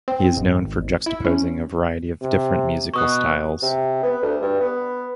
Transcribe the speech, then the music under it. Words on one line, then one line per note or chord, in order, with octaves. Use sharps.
He is known for juxtaposing a variety of different musical styles.
C4
G#1
E4
C#4
C3
B2 C#6 D#6 F#6
C3
B3
D2
G2
B3